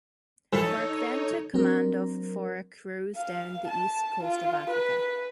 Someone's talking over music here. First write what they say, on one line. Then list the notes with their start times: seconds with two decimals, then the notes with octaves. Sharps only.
Burke then took command of for a cruise down the east coast of Africa.
0.53 E3 F3 D#4 A4 B4 C#5
1.54 F#3 C4 D4 A#4
3.16 F5
3.68 A5
4.24 F4
4.70 B4